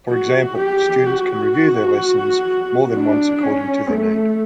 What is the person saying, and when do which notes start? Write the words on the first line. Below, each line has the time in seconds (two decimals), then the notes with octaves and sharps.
For example, students can review their lessons more than once according to their need.
0.10 F#4
0.58 G4
1.06 F#4
2.95 D4
3.43 C#4
3.90 A3